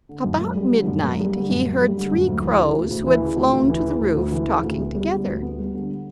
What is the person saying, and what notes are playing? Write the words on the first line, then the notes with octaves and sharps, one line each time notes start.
About midnight he heard three crows, who had flown to the roof, talking together.
D3
F#2
A#3
G3
D3
F#2
A#3
G3
D3
F#2
A#3
G3
D3
F#2
D2
E3
C#3
D2
D2
E3
C#3
D2
D2
E3
C#3
D2
D2
E3
C#3
D2
B3
G3
D3
D2
B3
G3
D3